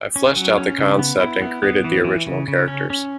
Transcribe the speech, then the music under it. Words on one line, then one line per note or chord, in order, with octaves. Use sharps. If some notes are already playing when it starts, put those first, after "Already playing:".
I fleshed out the concept and created the original characters.
C#4
F#3
C#4
C#3
B3
E4
B3
B3
E3
E3
C#3
C#3
C#4
C#4